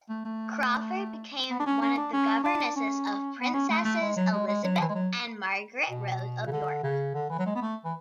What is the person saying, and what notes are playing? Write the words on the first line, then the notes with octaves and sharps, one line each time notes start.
Crawford became one of the governesses of Princesses Elizabeth and Margaret Rose of York.
A3
A3
B3
D4
C#4
C#4
D4
C#4
D4
C#4
B3
C#4
A3
A3
G#3
F#3
G#3
G#3
F#3
E3
G#3
F#3
B2
C#3
D3
C#3
D3
E3
F#3
G#3
B3
A3
E3